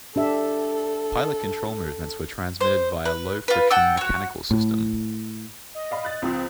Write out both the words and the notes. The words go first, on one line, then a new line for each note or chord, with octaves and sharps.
Pilot control movements were transmitted via a low-friction mechanical system.
D4 G4 A4 E5
C5
B4
F4 B4
F#5 G5 A5 E6
F#4 C#5
A2
D#5
D5 F5 B5
F#6 A6
C#2 F3 C4 D#6